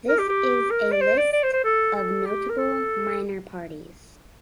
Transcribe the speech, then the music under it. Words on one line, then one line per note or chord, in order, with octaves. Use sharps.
This is a list of notable minor parties.
A#4
G4
G4
A#4
D5
C5
D5
D5
C5
C5
A4
A4
G4
A#4
A4